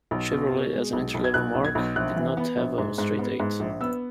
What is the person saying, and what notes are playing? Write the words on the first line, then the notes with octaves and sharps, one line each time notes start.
Chevrolet, as an entry-level marque, did not have a straight-eight.
B1
B2
B2
G#3
B1
B1
G#6
B1 F#6
B1
G#6
B1
A#1 F#6
E3
B3
A#1
G#2
G#2
B3
G#2
A#1
B3 E6